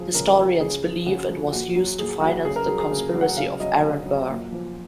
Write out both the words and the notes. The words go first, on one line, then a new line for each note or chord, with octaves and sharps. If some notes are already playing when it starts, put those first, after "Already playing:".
Historians believe it was used to finance the conspiracy of Aaron Burr.
Already playing: C#3 F3 F#3 G#4
C#3 A#4
F3
C#3 G#4
F3
C#3 F#4
F3
A#2 F#4
F#3
A#2 G#4
F#3 F#4
C#3 G#4
A#4
F#3 G#4
G#4
C#3
F#3
F#5
C#3 F5
F#3 D#5
C#3
F#3
A#2
F3